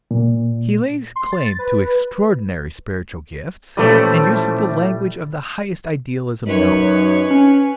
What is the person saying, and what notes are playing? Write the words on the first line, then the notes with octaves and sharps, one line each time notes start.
He lays claim to extraordinary spiritual gifts, and uses the language of the highest idealism known.
A#2
C6
A6
B4
A#2 E3 F3 G3 A3 C#4 B5 D6
F#2 D#4 B4 C#5
C#4